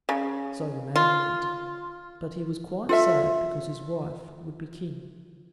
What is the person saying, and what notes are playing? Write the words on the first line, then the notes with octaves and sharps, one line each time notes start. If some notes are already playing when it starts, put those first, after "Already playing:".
So the man went; but he was quite sad because his wife would be king.
C#3
F4
F4 A4 E5